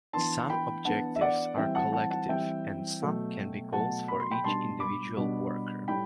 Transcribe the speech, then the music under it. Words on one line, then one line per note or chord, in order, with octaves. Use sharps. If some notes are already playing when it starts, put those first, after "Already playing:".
Some objectives are collective, and some can be goals for each individual worker.
E3 B3 D4 A5 C6
G5 B5
E3 B3 D4 F#5 A5
E5
D5 F#5
E3 G3 C4 E5 G5
F#5 A5
F#5 A5
F#5 A5
E3 G3 C4 E5 G5
B2 F#3 A3
B2 F#3 A3 F#5 A5
B5
C6
G5 B5
B2 G3 D4 A5 C6
B5 D6
B2 G3 D4
A2 G3 G5 B5